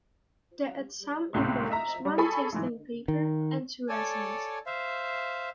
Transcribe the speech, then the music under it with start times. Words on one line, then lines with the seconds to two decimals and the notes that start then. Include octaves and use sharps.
The exam involves one tasting paper and two essays.
1.33 G#1 C#2 A2 C3 C6
1.70 D#5 E5 A#5
2.05 G3
2.18 G#4 A4 G#5 A5 B5 C#6
2.52 B1 G#2 E3
3.08 D#3
3.89 A4 C#5 D5 G#5 A5
4.66 C5 E5 F5